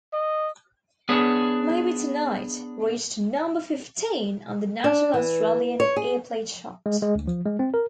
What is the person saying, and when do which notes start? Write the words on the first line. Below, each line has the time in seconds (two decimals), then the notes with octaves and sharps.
"Maybe Tonight" reached number fifteen on the national Australian airplay chart.
0.13 D#5
1.09 B3 D4 G#4 C#5
4.84 D4
5.14 E3
5.80 C#5
5.96 G#4
6.86 G#3
7.02 G#3
7.15 D2
7.27 F3
7.46 G#3
7.59 C4
7.74 A#4